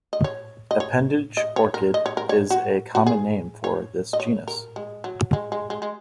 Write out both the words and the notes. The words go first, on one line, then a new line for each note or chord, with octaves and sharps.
Appendage orchid is a common name for this genus.
D#5
C#5
D#5
C#5
D#5
C#5
A#4
D#5
C#5
A#4
C#5
F#4
F#4
G#4
C#5
D#5
C#5
A#4
G#3
F#3
G#3
G#3
G#3
G#3